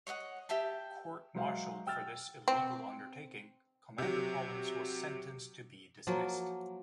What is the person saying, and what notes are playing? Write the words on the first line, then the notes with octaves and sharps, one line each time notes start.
Court-martialled for this illegal undertaking, Commander Collins was sentenced to be dismissed.
C#5 D#5 E5 F#5
G4 E5 G5 A5
F#3 G#3 C5 E5 F5
G5 E6 F6 A6
C4
C3 F#3
F3 F#3 A#3